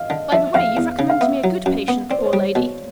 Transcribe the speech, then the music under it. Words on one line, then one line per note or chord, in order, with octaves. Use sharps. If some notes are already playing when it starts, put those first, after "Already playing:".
'By the way, you've recommended me a good patient, poor lady!
Already playing: D#5 F5
D3
F3 E5
F2 F5
E2
C#3
F5
B3 E5
F#3
F#2
B3
C4 D5
C5
C#5
G3
B2